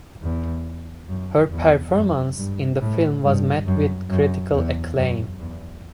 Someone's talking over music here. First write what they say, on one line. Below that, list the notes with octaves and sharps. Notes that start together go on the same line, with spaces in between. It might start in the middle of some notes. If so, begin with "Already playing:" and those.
Her performance in the film was met with critical acclaim.
E2
F#2
E2
F#2
G2
A2
G2
F#2
F#2
E2
F#2
E2